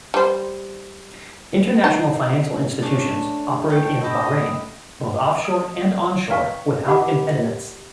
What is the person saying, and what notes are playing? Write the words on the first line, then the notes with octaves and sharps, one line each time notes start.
International financial institutions operate in Bahrain, both offshore and onshore, without impediments.
G3 C5
D#4
A3 C#4 D4
A3 G5
E4 G4 D#5
D#6
B4 F5 G5 A#5 C#6
G4 D5 F#5 A5 B5 D6